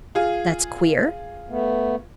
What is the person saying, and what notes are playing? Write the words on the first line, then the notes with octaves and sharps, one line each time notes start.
"That's queer."
F4 G#4
A3 B3